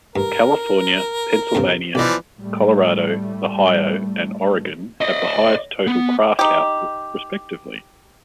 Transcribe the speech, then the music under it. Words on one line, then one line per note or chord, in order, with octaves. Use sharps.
California, Pennsylvania, Colorado, Ohio and Oregon have the highest total craft output, respectively.
G2 A#4
E2 G2 C#3
B1 E3 F3 D5 D#5
A2 G3 A3
D5 D#5
B3
D#4 G4